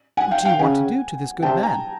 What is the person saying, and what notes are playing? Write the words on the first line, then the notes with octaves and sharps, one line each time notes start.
What do you want to do to this good man?
F#5 G#5
F5 G5
F5 G5
C#3 F#5 G#5
C3 G5 A5
G#5 A#5